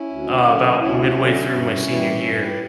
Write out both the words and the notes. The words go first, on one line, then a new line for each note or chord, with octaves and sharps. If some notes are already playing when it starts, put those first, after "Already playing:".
uh, about midway through my senior year.
Already playing: C#4 E4
D2
D3 F#3
D2 C#4 E4
D3 F#3
G2
E3 G3
G2
G4 B4